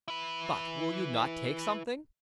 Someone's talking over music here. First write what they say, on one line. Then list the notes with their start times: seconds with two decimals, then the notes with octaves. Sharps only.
But will you not take something?
0.08 E4 B4